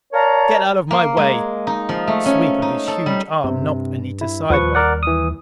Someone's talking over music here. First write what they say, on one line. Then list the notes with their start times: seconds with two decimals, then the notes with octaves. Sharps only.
"Get out of my way!" A sweep of his huge arm knocked Anita sidewise.
0.12 A#4 C#5 D5 F5 A5 A#5
0.91 A#3
1.17 G#3
1.67 D#4
1.89 F3
2.07 A3
2.25 C#4
2.62 D#4
2.88 A4
3.06 G3
3.44 G2 C3
4.21 E4
4.50 D#2 F3 G3 B4 C#6
4.75 A#4 D5 F#5
5.03 E3 D#6